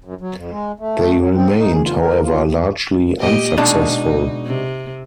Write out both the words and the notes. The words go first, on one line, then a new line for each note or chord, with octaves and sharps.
They remained, however, largely unsuccessful.
F#2
F#3
F2
G#3
A3
F#3
C4
D#4
G#4
F4
A#4
F4
A#2 G4 D#5
B2 G#3 D4 D#4
C3